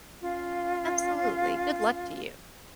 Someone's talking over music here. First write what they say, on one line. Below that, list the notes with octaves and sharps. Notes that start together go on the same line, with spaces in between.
Absolutely, good luck to you.
C#4 F4 F5